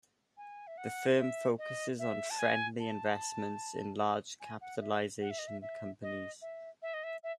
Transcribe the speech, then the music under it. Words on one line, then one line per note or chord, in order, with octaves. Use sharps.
The firm focuses on friendly investments in large capitalization companies.
G#5
E5
F#5
E5
D#5
E5
A5
G#5
A5
G#5
F#5
E5
F#5
E5
D#5
E5
E5
D#5
E5
E5
D#5
E5
E5